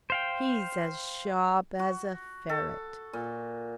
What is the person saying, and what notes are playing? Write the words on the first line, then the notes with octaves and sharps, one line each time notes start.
He's as sharp as a ferret.'
C5 F5 G5
F#4
A4
A#2